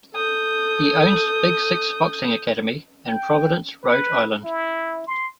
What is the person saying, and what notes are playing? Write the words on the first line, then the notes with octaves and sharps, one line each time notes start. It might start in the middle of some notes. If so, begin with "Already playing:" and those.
He owns Big Six Boxing Academy in Providence, Rhode Island.
A4 D#6 G6
G5
B4
E4
C6